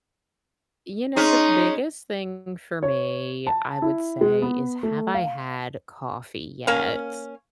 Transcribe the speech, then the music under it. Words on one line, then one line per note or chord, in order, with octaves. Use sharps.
You know, the biggest thing for me, I would say, is have I had coffee yet?
G#3 C#4 D#4
C#5
A5
E4
G#3
B3
A3
F5
A#3 C#4 F5